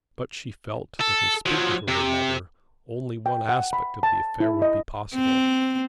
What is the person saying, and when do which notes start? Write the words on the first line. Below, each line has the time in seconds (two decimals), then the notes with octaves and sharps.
But she felt that, in speaking to her mother, only one aspect of the affair would be possible.
1.01 A4
1.46 F3 F#3
1.88 C3
3.26 G5
3.49 F#5
3.73 B5
4.03 A5
4.40 E4
4.62 D#5
5.15 C4